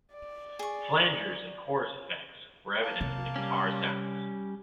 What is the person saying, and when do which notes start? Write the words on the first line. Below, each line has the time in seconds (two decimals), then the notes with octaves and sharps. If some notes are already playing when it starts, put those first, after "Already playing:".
Flangers and chorus effects were evident in the guitar sounds.
0.13 D5
0.59 G#4 C#6
2.82 A#3 F5 A5
3.01 C3
3.36 G3 C#4